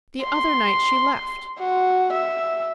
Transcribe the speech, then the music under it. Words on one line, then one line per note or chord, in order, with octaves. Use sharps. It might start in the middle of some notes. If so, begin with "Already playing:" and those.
"The other night she left."
C6
F#4
E5